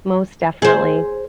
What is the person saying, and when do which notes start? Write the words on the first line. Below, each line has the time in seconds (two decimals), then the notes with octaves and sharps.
Most definitely.
0.62 G#4 C5